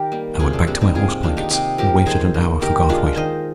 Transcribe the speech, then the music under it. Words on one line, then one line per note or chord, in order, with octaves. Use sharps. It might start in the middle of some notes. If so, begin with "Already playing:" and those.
I went back to my horse blankets and waited an hour for Garthwaite.
Already playing: D#3 G4 A#4
G3 A#3
C3 F4 G#4
D4 F4
G3 A#3 D4
C4 D#4
C3 F4 G#4
D#3 A#3 D4 F4
D#4 G4
C3 D#4 G4
F3 A#3 G4 A#4
D#3 G#4 C5
A#3
D#3 G4 A#4
G#3 D4 F4
D#3 C5 D#5